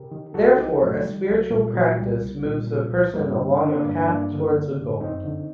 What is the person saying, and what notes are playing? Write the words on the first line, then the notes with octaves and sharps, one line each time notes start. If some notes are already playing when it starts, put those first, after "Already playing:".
Therefore, a spiritual practice moves a person along a path towards a goal.
Already playing: C3 G4 A#4
D#3
C2 F#4 A4
C2 D#4 G4
C3 F#3 A3
D#3 G3
C2 F#3
A#2 G3
A#2 F#3
C2 G3
C2
A#2
A#2
C2
G2 G3 A#3
D3
D3 D4
C4
A#3 D4
G2
G2 A#3 D4
D3
D3
G2
F#2 C4 D#4
D3